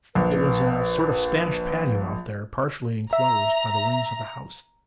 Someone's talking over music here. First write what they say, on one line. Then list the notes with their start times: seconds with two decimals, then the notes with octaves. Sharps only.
It was a sort of Spanish patio out there, partially enclosed by the wings of the house.
0.15 A#1 B4
3.13 E5 A#5